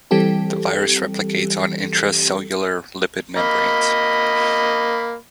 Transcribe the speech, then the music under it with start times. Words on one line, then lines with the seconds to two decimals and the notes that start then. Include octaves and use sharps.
The virus replicates on intracellular lipid membranes.
0.11 E3 G3 C4 G4 A4
3.37 A#3 D#5 B5